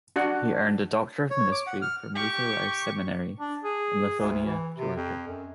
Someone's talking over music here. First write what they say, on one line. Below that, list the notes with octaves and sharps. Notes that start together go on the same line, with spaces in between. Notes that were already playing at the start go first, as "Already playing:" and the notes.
He earned a Doctor of Ministry from Luther Rice Seminary in Lithonia, Georgia.
D4 F#4 F#5
C#5
D6
F#5
F6
G4 C#6
D4
G#4
D2
E3
C3
F2
F#2